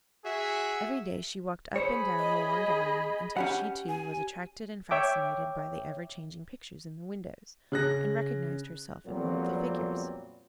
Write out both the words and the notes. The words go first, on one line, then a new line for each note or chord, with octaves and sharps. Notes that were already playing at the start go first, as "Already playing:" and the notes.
Every day she walked up and down the long gallery, until she too was attracted and fascinated by the ever-changing pictures in the windows, and recognised herself in one of the figures.
F#4 G#4 E5
G#4 C5 C#5 B5
D#5
C#4 G4 F#5
G#5
C#5 E5 G5 D6
C#3 F#6 A#6
F2 A#2 F#3 G3 B3 C4